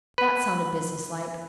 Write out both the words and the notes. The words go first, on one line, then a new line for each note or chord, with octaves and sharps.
That sounded business-like.
B4